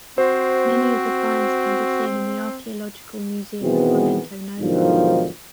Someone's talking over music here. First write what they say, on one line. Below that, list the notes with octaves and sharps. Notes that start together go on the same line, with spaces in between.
Many of the finds can be seen in the Archaeological Museum of Grumento Nova.
C4 F#4 C5
B2 D#3 E3 B3 C4 G#4
B1 G#2 D3 D#3 F3